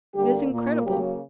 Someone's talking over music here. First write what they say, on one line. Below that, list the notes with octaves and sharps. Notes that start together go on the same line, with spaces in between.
It is incredible!
D3 G3 A#3 G4
A#2 A#3
C#3 F#3 G3 A#3 G4